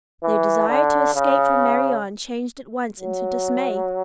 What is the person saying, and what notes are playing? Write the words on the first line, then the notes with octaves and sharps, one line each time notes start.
Their desire to escape from Marianne changed at once into dismay.
E3
D3
C#3
F#3